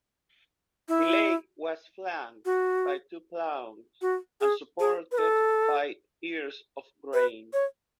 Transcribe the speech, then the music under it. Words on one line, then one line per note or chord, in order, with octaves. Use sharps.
The lake was flanked by two ploughs and supported by ears of grain.
E4
F#4
F#4
G#4
G#4
B4
A4
B4
C#5